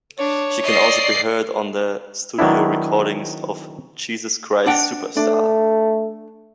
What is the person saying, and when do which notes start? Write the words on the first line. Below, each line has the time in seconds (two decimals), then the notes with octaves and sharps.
She can also be heard on the studio recording of "Jesus Christ Superstar".
0.19 D4 C#5
0.63 D5 D#5 C7
2.39 D#3 F#3 B3 D4 E4
4.66 D4 F#5 G5
5.17 A3 D4